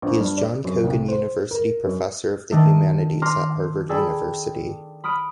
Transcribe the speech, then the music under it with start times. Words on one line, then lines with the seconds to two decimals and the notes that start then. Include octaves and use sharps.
He is John Cogan University Professor of the Humanities at Harvard University.
0.02 A#1
0.20 G2
0.38 D5
0.64 F#2
0.84 C2
1.08 C5
1.51 A#4
1.85 F#2
2.51 D#3 A3 D4 D#4
3.22 A#5 C6 D6 F6
3.89 G#4 A4 D5 G5 A5 B5
5.04 B5 D#6 F6 D7